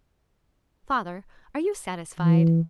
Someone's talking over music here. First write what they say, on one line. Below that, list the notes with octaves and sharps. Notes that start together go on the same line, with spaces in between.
"Father, are you satisfied?"
E3